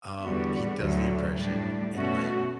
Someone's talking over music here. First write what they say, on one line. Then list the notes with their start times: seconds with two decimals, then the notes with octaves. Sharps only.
um, he does the impression and, like
0.23 E2 D3 G3 B3 F#4
0.80 D2 D3 F#3 A3
1.36 A2 G3 D4
1.94 B2 A3 C#4 F#4